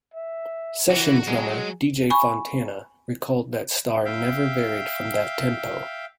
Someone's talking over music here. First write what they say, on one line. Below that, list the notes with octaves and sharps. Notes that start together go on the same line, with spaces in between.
Session drummer D. J. Fontana recalled that Starr never varied from that tempo.
E5
E3 F#4 F#5
F#3 G#3 G#4
G#5 B5 C#6
E5 F5 G5